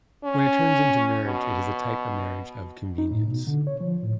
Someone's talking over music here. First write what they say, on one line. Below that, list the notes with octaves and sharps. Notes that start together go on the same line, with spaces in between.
When it turns into marriage it is a type of marriage of convenience.
C#4
B2
D#4
A2
B2
D3
C#5
F3
A2